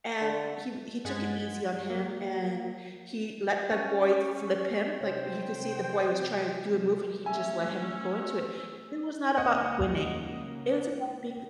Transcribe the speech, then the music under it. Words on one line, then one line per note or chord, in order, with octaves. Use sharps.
and he he took it easy on him, and he let the boy flip him, like, he could see the boy was tryna do a move, he just let him go into it. It was not about winning, it was about being
D3
G2 G#3 F#5 G#6 A6 B6
A#3
C#4
C3 C5 C#5 G5
A3 C#4 G#5 E6
C#2 C#3 A#3 D#5 F#5